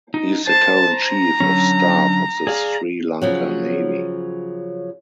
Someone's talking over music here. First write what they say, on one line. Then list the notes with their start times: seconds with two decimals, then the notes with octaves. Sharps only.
He is the current Chief of Staff of the Sri Lanka Navy.
0.14 D#4
0.47 C5 A5
0.96 A#5
1.40 D3 F#3 C#4
2.47 G#4 D5 F5
3.22 C#3 F3 F#3